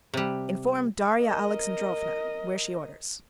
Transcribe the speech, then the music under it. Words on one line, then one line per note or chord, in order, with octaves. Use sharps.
"Inform Darya Alexandrovna: where she orders."
C3 G3
A#4 D#5